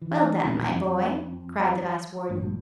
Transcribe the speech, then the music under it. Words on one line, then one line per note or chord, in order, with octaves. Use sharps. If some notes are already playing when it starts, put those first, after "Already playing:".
"Well done, my boy!" cried the Vice-Warden.
E3
E1 A#1
F2
A1 G2 A#2